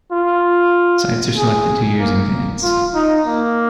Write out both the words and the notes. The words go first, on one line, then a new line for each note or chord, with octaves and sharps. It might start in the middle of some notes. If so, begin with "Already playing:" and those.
Sites are selected two years in advance.
F4
G#4
A#3
F4
D#4
A#3